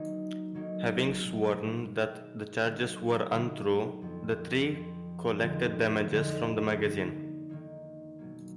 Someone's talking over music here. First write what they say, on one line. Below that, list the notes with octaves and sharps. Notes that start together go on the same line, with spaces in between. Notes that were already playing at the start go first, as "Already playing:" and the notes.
Having sworn that the charges were untrue, the three collected damages from the magazine.
Already playing: D#3 F#3 A#3 D#4
D#3 F#3 A#3 D#4
B2 G#3 D#4
B2 G#3 D#4
D3 F#3 B3 D#4
D3 F#3 B3 D#4
F2 F3 B3
F2 F3 B3
F2 D3 F3 G#3 D#4
F2 D3 F3 G#3 D#4
D#3 A#3 D#4
D#3 A#3 D#4
B2 F#3 A#3